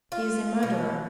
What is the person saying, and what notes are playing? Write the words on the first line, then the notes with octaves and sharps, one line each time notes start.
He is a murderer.
F4
B2